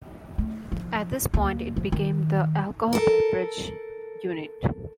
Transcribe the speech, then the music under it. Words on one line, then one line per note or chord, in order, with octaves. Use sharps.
At this point it became the "Alcohol Beverage Unit".
A3
F3
D2 A#3
F3
D#3
A4 A#4